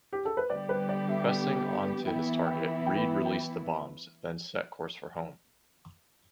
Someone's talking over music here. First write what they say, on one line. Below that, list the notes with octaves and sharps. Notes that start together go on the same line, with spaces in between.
Pressing on to his target, Reid released the bombs, then set course for home.
G4
A4
B4
D3 G3 B3 G4 D5
B4
D5
E5
E3 B3 E4 G5
G5
G5
G5